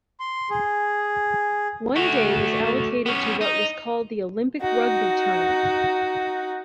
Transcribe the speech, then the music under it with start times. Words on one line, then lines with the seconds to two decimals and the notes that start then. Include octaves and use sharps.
One day was allocated to what was called the Olympic rugby tournament.
0.20 C6
0.50 G#4
1.96 A3 F#4
3.06 B3 C#4
3.41 D#4
4.62 D#4 F#4